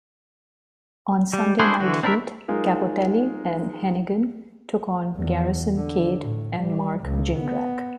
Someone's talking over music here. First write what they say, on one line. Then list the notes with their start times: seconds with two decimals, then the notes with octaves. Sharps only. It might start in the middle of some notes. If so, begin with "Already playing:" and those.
On "Sunday Night Heat" Cappotelli and Hennigan took on Garrison Cade and Mark Jindrak.
1.33 G3
1.59 D4 E4 F#4 G#4 C5
1.80 D3 E3 F#4
2.03 C4 D4 E4 A#4 E5
2.48 F#3 G#3 D#4 F4 A#4
5.17 E2
5.76 D3
6.22 A2
6.59 G3
7.04 C#2
7.38 B3